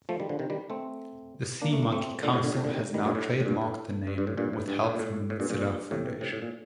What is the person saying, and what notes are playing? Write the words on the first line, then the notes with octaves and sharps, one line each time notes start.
The SeaMonkey Council has now trademarked the name with help from the Mozilla Foundation.
F3 A3
D#3 G3
D3 F3
C3 D#3
D#3 G3
A3 C4
A#3 D4
A3
A#3
A3 C4
A#2 D3
A2 C3
A#2 D3
A2 C3
A#2 D3
C3 D#3
D#3 G3
G2 A#2
A2
A2
G2 A#2
A2
G2
G2
A2
G2 A#2
A2
G2
A2
A#2
A2
A2
G2 A#2
G2 A#2
A2 C3
A2 C3
A2
A#2